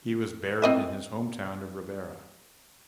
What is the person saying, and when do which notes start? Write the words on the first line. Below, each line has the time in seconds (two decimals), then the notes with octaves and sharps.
He was buried in his home town of Ribera.
0.62 C4 D#5 E5